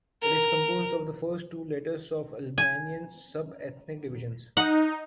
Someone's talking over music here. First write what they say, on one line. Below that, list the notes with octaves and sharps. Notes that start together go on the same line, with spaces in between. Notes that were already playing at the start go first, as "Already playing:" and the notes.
It is composed of the first two letters of Albanian subethnic divisions.
A#4
G#5
D#4 F#5